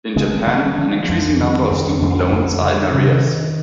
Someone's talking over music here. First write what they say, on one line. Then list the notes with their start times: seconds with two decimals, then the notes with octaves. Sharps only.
In Japan, an increasing number of student loans are in arrears.
0.16 D3 G#3 C4
0.47 D3 G3 A#3
0.78 D3 F3 G#3
1.05 A#3
1.09 F2 F3 G#3
1.30 G#3
1.40 D3 D#3 G3
1.70 F2 D#3 G3
2.02 F2 D3 F3
2.32 F2
2.64 D3
2.94 C3 D#3